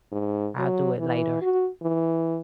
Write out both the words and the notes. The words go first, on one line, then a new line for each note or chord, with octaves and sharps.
I'll do it later."
G#2
F#3
E3
F#4
E3